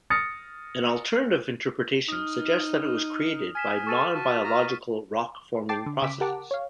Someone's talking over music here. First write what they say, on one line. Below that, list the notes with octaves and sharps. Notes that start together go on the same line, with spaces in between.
An alternative interpretation suggests that it was created by non-biological rock-forming processes.
D#6 F6 A6 A#6 C#7
D#4 D#6 F6
G#5 F6 B6 E7
A4 C#6 A6 D#7
F#4 A5
A#5 F6
G5 A5 D6 A6 C7
D3
C#3 D6 B6
G4 A#4 F#5 A5 D6
C#5 F5